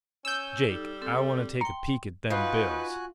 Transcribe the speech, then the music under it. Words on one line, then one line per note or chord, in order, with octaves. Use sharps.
"Jake, I wanta take a peek at them bills."
C#4 E6 G6
G3 D#4 A4
C4 A4
G5 A#5 C6 C#7
D#4 F4 F#4 B4 G#5 F#6